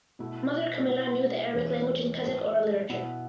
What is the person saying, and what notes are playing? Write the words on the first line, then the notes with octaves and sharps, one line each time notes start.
Mother Kamila knew the Arabic language and Kazakh oral literature.
B2 A3 E4
B2 B3 E4
E2 E3 C#4
A2 A3 C#4
B2 B3 E4